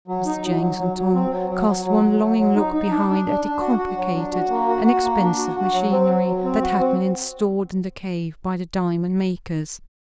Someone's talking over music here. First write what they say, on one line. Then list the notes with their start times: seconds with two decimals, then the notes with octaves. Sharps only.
Mr. Jenks and Tom cast one longing look behind at the complicated and expensive machinery that had been installed in the cave by the diamond makers.
0.08 F#3
0.26 D#4
0.43 F#3
0.60 F#3
0.78 F#3
0.96 F#3
1.14 C4
1.31 F#3
1.49 F#3
1.67 F#3
1.85 F#3
2.02 F#3
2.20 F#3
2.37 F#3
2.55 D#4
2.73 D#4
2.90 D4
3.08 D4
3.27 D4
3.44 D4
3.61 F#4
3.79 F#4
3.97 F#3
4.14 D4
4.32 F#4
4.50 A#3
4.68 F#4
4.85 F#4
5.03 A#3
5.21 D4
5.38 F#4
5.56 F#4
5.73 F#3
5.91 C4
6.09 F#3
6.27 F#3
6.44 C4
6.62 F#4
6.80 C4